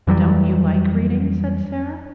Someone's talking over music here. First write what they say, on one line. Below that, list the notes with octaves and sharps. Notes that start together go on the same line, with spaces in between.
"Don't you like reading?" said Sara.
F2 E3 F#3 G3